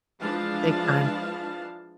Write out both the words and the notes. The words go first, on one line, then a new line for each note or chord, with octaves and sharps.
Big time.
E3 F3 G#3 D4 F5 A5